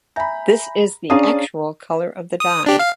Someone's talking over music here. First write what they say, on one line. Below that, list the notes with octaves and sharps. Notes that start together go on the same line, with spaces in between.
This is the actual color of the dye.
E5 G#5 A#5 B5 G6
C#4 D4 G#4 D5 F5 A#5 D#6 D#7
D#6
D4 G4
F5